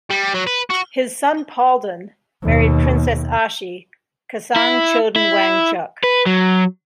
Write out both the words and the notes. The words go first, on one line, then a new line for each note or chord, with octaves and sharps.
His son Palden married Princess "Ashi" Kesang Choden Wangchuck.
G3
F#3
B4
F#4
D#2 B2
E4
E4
B4
F#3